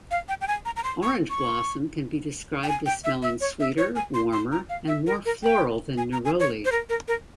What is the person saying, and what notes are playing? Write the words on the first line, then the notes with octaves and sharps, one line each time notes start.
Orange blossom can be described as smelling sweeter, warmer and more floral than neroli.
F5
G5
G5
G#5
A#5
A#5
C6
C#6
C#6
G5
G#5
G5
E5
E5
C#5
E5
C#5
G#5
C6
C6
A#5
F5
E5
A#4
A#4
G5
G#5
A#5
G#5
C#5
C5
A#4
A#4
A#4